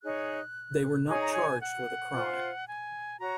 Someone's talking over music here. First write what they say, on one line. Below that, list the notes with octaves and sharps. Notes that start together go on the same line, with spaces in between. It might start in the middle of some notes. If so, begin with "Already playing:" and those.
They were not charged with a crime.
D#4 G#4 C#5 F#6
D#4 G#4 C#5 G#5
A#5
G#5
F#5
F4 C5
G#5
F#4 C#5 A#5